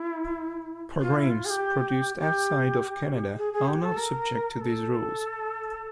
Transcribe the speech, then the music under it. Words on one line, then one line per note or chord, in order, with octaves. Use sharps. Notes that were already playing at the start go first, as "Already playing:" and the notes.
Programs produced outside of Canada are not subject to these rules.
Already playing: E4
F4
E4
F4
G#4
G4
G4
G#4
G#4
G4
A4
A#4
A#4
A4